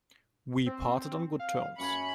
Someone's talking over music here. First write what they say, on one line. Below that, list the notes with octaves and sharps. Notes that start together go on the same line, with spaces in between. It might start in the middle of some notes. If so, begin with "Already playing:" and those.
We parted on good terms.
C4
F5
F#2 C#4 G#5 B5 C#7